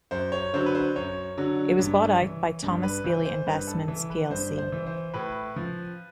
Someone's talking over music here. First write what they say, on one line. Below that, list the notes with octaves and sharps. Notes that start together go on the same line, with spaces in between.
It was bought out by Thomas Bailey Investments plc.
F#2 C5
C#5
D3 F#3 C5
B4
C5
F#2 C#5
D3 F#3
G2
E3
G2
B4
E3 C5
C5
G2 B4
A4
E3
B4
G2 C5
C5
E3
C5
A2 B4
F3